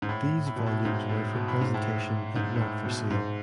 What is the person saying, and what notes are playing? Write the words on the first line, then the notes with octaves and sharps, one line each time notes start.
These volumes were for presentation and not for sale.
G#2
A2
A2
B2
A2
G#2
A2
B2
A2
G#2
A2
G#2
G#2
A2
B2
G#2